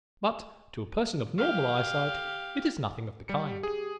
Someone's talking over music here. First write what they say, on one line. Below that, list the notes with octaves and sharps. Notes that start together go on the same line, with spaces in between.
But, to a person of normal eyesight, it is nothing of the kind.
G4 F5
G3 G4 C#7
G#4